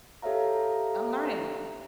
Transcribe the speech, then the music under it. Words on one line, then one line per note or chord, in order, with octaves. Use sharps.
I'm learning.
G4 A4 C#5 E5 F5 A#5